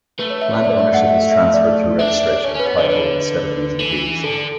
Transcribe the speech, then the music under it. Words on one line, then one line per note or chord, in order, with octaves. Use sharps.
Land ownership is transferred through registration of title instead of using deeds.
A3 B4
C#5
E5
D5
E5
D5
E5
F#5
E5
E5
D5
D4 E5
C#4 C#5
C#4 B4
B3 C#5
D3
D3 B4
E3
D3 A4